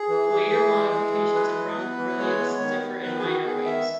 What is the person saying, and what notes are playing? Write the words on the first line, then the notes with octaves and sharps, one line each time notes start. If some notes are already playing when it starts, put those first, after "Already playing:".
Later modifications of round brilliants differ in minor ways.
Already playing: G#4
E3
E3
E3
G#3
E3
G#3
E3 B4
E3
B3
E3
G#3 C#5
B3 B4
C#5
D#3
B3
D#3 B4
G#4
D#3 F#4
B3 G#4
D#3 E5